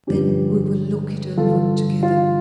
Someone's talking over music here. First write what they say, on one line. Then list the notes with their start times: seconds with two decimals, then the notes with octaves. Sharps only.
Then we will look it over together.
0.07 G2 D3 F3 C#4 G4
1.37 G1 G2 E3 F4 A4
2.03 F4